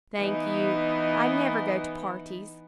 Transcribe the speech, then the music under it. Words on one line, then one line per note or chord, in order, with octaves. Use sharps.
'Thank you, I never go to parties.'
E3 B3 D#4